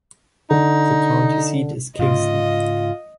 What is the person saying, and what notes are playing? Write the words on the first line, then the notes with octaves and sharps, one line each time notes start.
The county seat is Kingston.
D3 D#4
G#2 C#3 F4 D#5